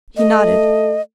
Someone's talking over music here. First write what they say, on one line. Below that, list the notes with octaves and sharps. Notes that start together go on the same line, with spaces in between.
He nodded.
A3 D#5